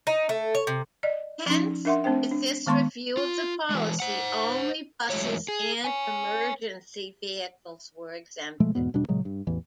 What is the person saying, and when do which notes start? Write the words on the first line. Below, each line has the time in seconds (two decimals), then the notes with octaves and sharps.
Hence, with this review of the policy, only buses and emergency vehicles were exempted.
0.07 D#4
0.29 A3
0.55 C#5
0.67 C3
1.03 D5 D#5
1.46 F3 C#4 D#4
1.85 D4 A#4 E5 F#5 C6
2.04 A3 C4 D4 C5 G5
2.31 D4
2.66 D#3 G#3 B3 C6 C#6
3.17 F4
3.70 E3 G#3
4.00 C5 F#5
5.10 E2 F#3 G#3 A3 C#5
5.48 G#4
5.85 C#5 G#5
8.60 B2 F3 G#3 A3
8.75 E2 G#2 B2 B3
8.94 E1 B2 G3 D4
9.09 A#2 C#3 F#3 G#3
9.25 G2
9.47 A1 E2 E3